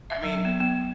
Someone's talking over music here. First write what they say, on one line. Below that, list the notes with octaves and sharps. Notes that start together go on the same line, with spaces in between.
I mean,
E5
F#3
B3
B3